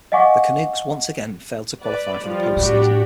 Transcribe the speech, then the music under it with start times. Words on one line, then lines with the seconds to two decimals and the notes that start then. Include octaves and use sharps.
The Canucks once again failed to qualify for the post-season.
0.12 D#5 F5 F#5 G#5 C#6 D6
1.82 B4 D5
2.25 F3 G3 F4
2.56 A2 D4 F#4 G4